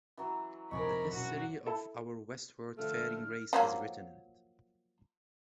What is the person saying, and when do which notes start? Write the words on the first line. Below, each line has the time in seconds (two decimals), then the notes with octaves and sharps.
The history of our westward-faring race is written in it.
0.17 E3 F#3
0.71 F1 F2 A#4 D5 D#5 G#5 B5 C#6
1.13 E1 F#2 F#4
1.66 E4 A4
2.78 D3 F3 A3 F6
3.53 F3 F#3 A#3